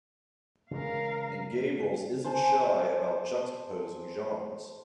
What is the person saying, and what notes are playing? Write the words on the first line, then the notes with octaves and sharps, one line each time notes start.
And Gabrels isn't shy about juxtaposing genres.
C#3 E3 G#3 A#4 F5
C5 G#5 A5